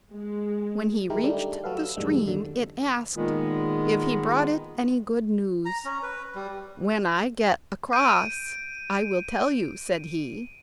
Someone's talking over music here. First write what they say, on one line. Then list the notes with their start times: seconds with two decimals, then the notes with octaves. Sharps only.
When he reached the stream it asked if he brought it any good news. 'When I get across I will tell you,' said he.
0.12 G#3
1.10 D#3 G#3 E4 G4 A#4
1.24 G3 A3 D4 D#4 G4
1.64 F#3 F#4 A4 B4 F5
1.78 E6
1.97 F#2 A2 D#3 G3 G#3
2.25 D#2 D3
3.16 A#2 D#3 G#3 B3
5.65 A#5
5.85 C#4
6.03 B4
6.35 G3
7.93 G6 D7 D#7